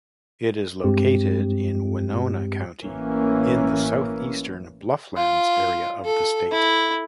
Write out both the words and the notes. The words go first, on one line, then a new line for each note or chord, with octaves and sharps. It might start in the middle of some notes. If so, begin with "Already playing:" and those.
It is located in Winona County in the southeastern blufflands area of the state.
G2 G#3 C4 G4
A1 E3 A#3 C#4
F4
A4
E4